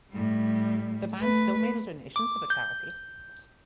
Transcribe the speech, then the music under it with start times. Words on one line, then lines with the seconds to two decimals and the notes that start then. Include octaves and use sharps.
The band still made a donation to the charity.
0.12 A2 G3
1.19 A3 B4
2.16 D6
2.50 G6